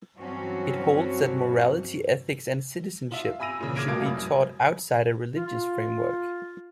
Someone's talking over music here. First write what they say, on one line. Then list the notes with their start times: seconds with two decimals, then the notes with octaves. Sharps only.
It holds that morality, ethics and citizenship should be taught outside a religious framework.
0.17 G2 E3 F#3 C4 C#4 F#4
3.12 F4 E5
3.40 G#5 B5 E6 A#6 D#7 F7
3.60 A#2 C#3 E3
3.76 D6 F6 G#6 A#6 D7
3.88 C2 B2 A3 A#3 G#6 D7
4.05 F#2 B5 D#6
5.36 F4